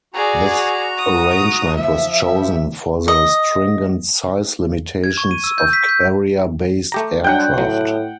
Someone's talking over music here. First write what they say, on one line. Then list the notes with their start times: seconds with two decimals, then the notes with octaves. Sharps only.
This arrangement was chosen for the stringent size limitations of carrier-based aircraft.
0.14 F#4 G#4 D5 A#5
0.98 D#6
1.76 F3 E5
3.08 D#5
5.04 G#6
5.17 C#6
5.31 D#7
5.44 E6
5.58 G6
5.73 B6
5.89 G6
6.92 A3 G4 A#5
7.24 F#3 G3 D4 F#5 G5
7.58 A2 F#3